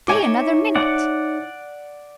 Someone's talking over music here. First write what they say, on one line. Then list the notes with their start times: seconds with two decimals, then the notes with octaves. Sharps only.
Stay another minute!
0.08 D#4 C#5 E5 G#5 D6
0.75 D5 F#5